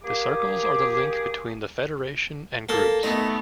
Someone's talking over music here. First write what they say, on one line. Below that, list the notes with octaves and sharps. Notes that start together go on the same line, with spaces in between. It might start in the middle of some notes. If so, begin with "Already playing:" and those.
The circles are the link between the Federation and groups.
A#3 G4 G#4 D6
A#3 A4
A3 B3 D#4